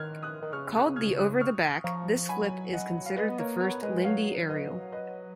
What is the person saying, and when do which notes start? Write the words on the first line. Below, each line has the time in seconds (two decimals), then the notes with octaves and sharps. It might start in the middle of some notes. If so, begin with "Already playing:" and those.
Called the 'over the back', this flip is considered the first Lindy aerial.
Already playing: D#3 F6 F#6 G#6
0.23 D#6 F#6
0.42 D#3
0.52 C#3 C#6 F6
0.75 D#6 F#6
0.96 F6 G#6
1.18 D#6 F#6
1.40 C#6 F6
1.84 F3 A#5 C#6
2.28 F#3 G#5 B5
2.73 D#5 F#5
3.06 F5
3.16 G#3 B4 D#5
3.29 B3
3.38 A#3 A#4 C#5
3.60 B3 A#4 C#5
3.82 G#3 B4 D#5
4.04 F#3 C#5 F5
4.49 B4 D#5
4.92 B4 D#5